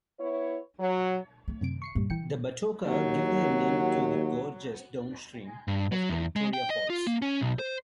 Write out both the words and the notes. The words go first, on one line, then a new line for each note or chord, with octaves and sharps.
The Batoka give their name to the gorges downstream of the Victoria Falls.
B3 E4 C#5
F#3
D#3 A3
F#2 C3 D7
C#6 C7 C#7
G2 A#2 G3
D#3 E3 G5 C#7
D#2 F#3
G2
F#3
E2
G#3
G5
D#5
F4
A#3
C#4
B1
C5